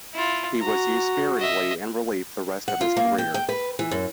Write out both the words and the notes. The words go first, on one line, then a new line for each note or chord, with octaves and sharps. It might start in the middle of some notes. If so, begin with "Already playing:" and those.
He was used sparingly in relief the rest of his career.
E4 F4
F#4 A#5
D#5 E5
F#5
F4
A#3
G5
G5
B4
E3
F#2